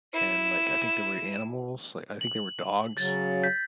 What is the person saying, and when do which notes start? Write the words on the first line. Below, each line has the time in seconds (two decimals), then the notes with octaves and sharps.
and, like, I think there were animals, like, I think there were dogs,
0.13 E4 E7
2.21 F#7
2.97 C#3 F#3 A6
3.43 G6 B6